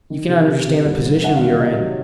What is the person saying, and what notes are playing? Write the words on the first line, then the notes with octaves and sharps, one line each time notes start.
You cannot understand the position we are in.
D#3
C3
C3
C3
C2
G3
D#3 F#5
D#3 F5
E5
C3 D#5
F#3